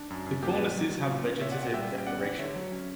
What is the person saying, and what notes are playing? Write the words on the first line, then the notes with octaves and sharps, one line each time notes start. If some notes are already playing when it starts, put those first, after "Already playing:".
The cornices has vegetative decoration.
Already playing: D4
F#2
F#2
A#3 G4
B4 D5
A#2
F#3
F#3
A#2
C#4
A#2 C#5 E5
D5 F#5
A#2
D5 F#5
G3 E5 G5
C#4
G5
B3 D5 F#5
E3
D3 C#5 E5
F#3
C#4